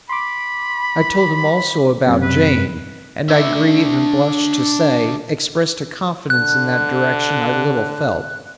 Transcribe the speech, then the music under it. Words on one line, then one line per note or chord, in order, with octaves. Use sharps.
I told him also about Jane; and, I grieve and blush to say, expressed a confidence in that direction I little felt.
B5 C6 D6
F#2 C3
B4
D4 E5
D3 F#6